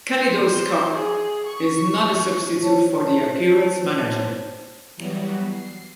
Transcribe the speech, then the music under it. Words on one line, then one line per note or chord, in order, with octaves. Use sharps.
Kaleidoscope is not a substitute for the Appearance Manager.
C5
G#4
C#6
C5 C#5 A5
E3 F#3 G3 B3 F#4
C7